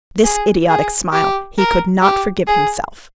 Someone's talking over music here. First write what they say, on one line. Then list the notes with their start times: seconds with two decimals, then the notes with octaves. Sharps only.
This idiotic smile he could not forgive himself.
0.24 G#4
0.69 G#4
1.13 G4
1.58 A#4
2.02 G4
2.47 G#4